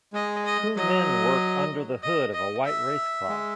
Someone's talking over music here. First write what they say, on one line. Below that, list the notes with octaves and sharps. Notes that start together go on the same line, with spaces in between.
Two men work under the hood of a white race car.
G#3 D#5
D#5
F#3 D#5
D#5
D#5
E5
G#3